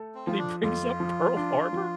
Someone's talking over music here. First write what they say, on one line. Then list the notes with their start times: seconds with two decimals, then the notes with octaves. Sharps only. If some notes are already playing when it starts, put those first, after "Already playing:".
And he brings up Pearl Harbor,
Already playing: A3 A4
0.15 C4
0.27 F3 F4
0.39 D4
0.63 F2 F4
1.00 F3
1.37 D4
1.73 F3